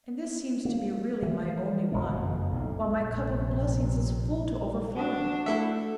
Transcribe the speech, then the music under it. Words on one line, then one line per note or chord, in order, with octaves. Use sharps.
And this seems to be really my only one, while my cup of blessings is full to overflowing.
A#3
E3 A3
D#1 G#1 G#3
F#1 F2 B2
B1 F2 A2
A#1 C3
D4 F#4
A3 E4 A4 E5